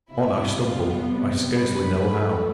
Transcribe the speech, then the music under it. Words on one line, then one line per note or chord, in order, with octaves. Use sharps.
On I stumbled, I scarcely know how.
C3 G3 B3 E4
F4
B4
G2 F3 A3